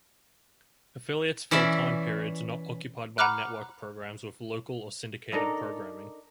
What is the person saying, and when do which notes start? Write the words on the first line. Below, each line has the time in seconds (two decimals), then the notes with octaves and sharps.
Affiliates fill time periods not occupied by network programs with local or syndicated programming.
1.51 E3 C#4 D5 E5
3.18 F#5 A#5 B5 D6 F6 F#6
5.32 D4 D#4 A4 A#4